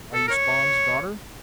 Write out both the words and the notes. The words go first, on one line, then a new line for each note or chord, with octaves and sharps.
"Are you Spawn's daughter?"
A4
A#4
C#5